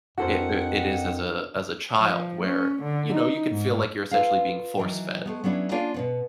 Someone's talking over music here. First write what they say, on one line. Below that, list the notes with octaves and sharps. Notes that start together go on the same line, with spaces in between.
it it is as a as a child, where, you know, you could feel like you're essentially being force-fed
F2 D4 E4 F#4 A4 A#4 C5 F#5
F3
C#4
D3
D#4
G#2
F4 A4 B4 F5
D#3 E3 F#3
G#3 A3 B3
F#3 B3 C#4 D4 E4
A#3 D4 F4 C#5 D5 G#5
B2 F3 B3